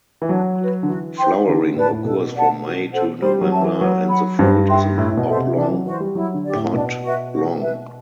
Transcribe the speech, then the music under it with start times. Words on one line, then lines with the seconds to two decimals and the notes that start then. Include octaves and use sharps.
Flowering occurs from May to November and the fruit is an oblong pod long.
0.22 E3
0.29 F#3 D4
0.59 F#4 B4
0.83 D3
0.88 E3 F#4
1.17 C5 G5 C6
1.47 D3 G4
1.62 D3
1.76 A2 B4 D5 A5
1.91 A2
2.05 B2 A4
2.35 D5 F#5 A5
2.64 F#4
2.93 A4 C5 F#5
3.22 G3 C5
3.41 F#3
3.51 E5 A5
3.61 E3
3.81 F#3 B4
4.10 F#5 B5
4.39 G2 C5
4.69 E5 G5 C6
4.98 A2 E4
5.11 A2
5.17 B2
5.27 A4 C5 E5
5.37 C3
5.56 E3 D4
5.71 F#3
5.85 E3 F#4 C5
6.00 G3
6.15 F#3 E4
6.34 D3
6.44 G4 D5
6.55 A2
6.73 B2 D4
7.03 F#4 B4 E5
7.32 F#4
7.61 B4 E5